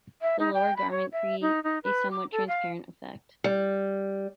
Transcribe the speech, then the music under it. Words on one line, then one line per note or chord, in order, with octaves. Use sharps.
The lower garment create a somewhat transparent effect.
E5
D#4
G5
B5
C#5
E5
D#4
D#4
B4
D6
A4
F5
G3